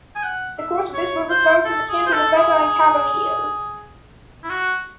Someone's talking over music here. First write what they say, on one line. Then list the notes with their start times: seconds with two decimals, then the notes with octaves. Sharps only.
The course of this river flows through the cantons of Vezza and Cavelier.
0.16 G#5
0.23 F#5
0.58 E5
0.94 C#5
1.30 C5
1.65 A4
1.89 G#4
2.07 C5
2.13 A4
2.36 G#4
4.44 E4
4.50 F#4